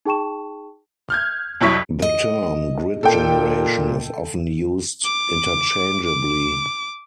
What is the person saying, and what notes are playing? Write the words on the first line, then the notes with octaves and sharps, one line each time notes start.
The term "grid generation" is often used interchangeably.
D#4 G#4 G5 A5 C#6 E7
F6 G6 G#6
C2 F2 F#3 E4 C#6 B6
D#5
A#2 A4 G5
D6
D6